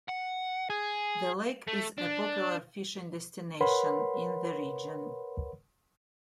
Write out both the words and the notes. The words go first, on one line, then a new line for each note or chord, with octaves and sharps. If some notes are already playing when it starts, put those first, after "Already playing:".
The lake is a popular fishing destination in the region.
F#5
G#4
A3
D4
A#4 B4 C#5 F#5 B5 C6